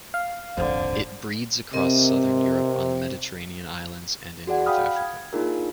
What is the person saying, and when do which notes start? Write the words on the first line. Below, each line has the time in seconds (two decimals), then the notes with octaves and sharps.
It breeds across southern Europe, on the Mediterranean islands and in north Africa.
0.14 F5
0.58 D#1 G#1 F2 D3 C5
1.73 C3 C4 A#4 D#5
4.47 F#4 G#4 D5 F#5
4.66 F5 G5 B5 D#6 F6
4.96 G#6
5.33 A#3 D4 D#4 F4 G#4 A#4